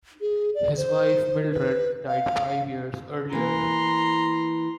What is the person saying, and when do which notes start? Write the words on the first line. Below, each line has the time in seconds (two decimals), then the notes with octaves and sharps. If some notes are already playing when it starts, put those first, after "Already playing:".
His wife, Mildred, died five years earlier.
0.21 G#4
0.55 D5
0.77 C5
1.52 B4
2.08 F5
3.33 E3 A#3 A#5 C6